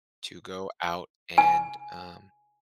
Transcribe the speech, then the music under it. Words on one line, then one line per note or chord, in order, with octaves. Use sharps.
to go out and, um,
G#5